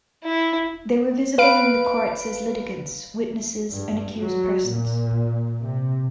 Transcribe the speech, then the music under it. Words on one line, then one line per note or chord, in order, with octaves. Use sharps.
They were visible in the courts as litigants, witnesses and accused persons.
E4
B4 F5 D7
G2
F#3
A#2
C3